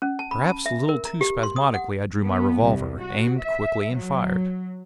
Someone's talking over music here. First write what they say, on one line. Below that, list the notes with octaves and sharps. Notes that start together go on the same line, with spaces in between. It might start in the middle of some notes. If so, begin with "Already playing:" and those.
Perhaps a little too spasmodically I drew my revolver, aimed quickly and fired.
C#4
A5
B5
A5
E5
A#4
A#5
G4
C6
D#6
F#5
B3
C2
F#4
E5
F#3